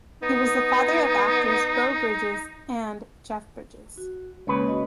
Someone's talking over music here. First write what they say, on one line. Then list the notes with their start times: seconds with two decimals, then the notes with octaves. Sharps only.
He was the father of actors Beau Bridges and Jeff Bridges.
0.23 B3 D#4
3.98 F#4
4.47 C#2 C#3 G#3 A#3 B4 C#5
4.67 F#4 D#5